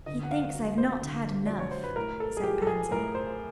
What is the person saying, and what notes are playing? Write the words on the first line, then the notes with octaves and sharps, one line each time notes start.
"He thinks I've not had enough," said Pansy.
D3 D#5
F#5
F5
F#3
C5
D3
F#3 D5
C#5
C5
B4
A2 A#4
A4
G#4
F3 G#3 G4
A4
G#4
A2 A#4
C5